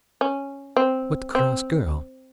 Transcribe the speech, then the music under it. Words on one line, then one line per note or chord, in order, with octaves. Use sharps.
What cross girl!
C#4
C4
C4